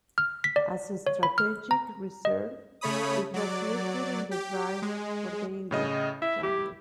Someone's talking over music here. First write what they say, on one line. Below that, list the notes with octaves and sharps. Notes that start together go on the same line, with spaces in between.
As a strategic reserve it was used during the drive for the English Channel.
F6
B6
D5
C#5
B5
F6
A#5
D#5
C#3 A3 C#5 B5 D#6
F#3 D5
G4
G#3
A2 C#3 D#5
E4 E5
G4